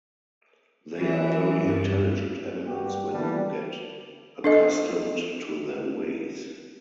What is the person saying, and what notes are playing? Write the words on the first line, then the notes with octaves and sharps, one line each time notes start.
They are very intelligent animals when you get accustomed to their ways.
E3
G2
G2 F#4 G4
D3 E3 G3 A#3 B3 D4
D4 A4 D#5